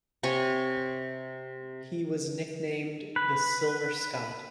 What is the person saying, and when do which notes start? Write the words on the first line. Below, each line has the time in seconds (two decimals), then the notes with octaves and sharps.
He was nicknamed The Silver Scot.
0.23 C3 C#5 G#5 C#6
3.16 B4